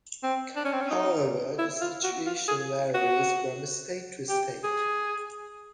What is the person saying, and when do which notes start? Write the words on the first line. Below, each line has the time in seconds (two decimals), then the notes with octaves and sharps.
However, this situation varies from state-to-state.
0.23 C4
0.56 D4
0.65 C#4
0.73 C4
0.81 C#4
0.90 D#4
1.59 E4
1.81 F4
2.04 F#4
2.26 F4
2.48 G#4
2.94 F#4
4.29 G4
4.64 G#4